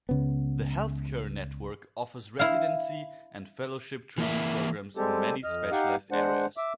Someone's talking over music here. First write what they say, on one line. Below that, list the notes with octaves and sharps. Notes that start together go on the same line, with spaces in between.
The healthcare network offers residency and fellowship training programs in many specialized areas.
C#2 C#3 B3
E4 F5
E3 A#3 E4
G3 G#3 C4 G4 A4
F2 D#5 F6
D#4 G4 F5 F#5
G#3 D4 C5 F#5
E5 D6